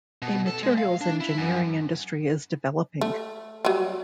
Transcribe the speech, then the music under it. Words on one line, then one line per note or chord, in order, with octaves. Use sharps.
A materials engineering industry is developing.
B2
A4
G#3
F5
D4
E4
F#2
A3
F#3 G3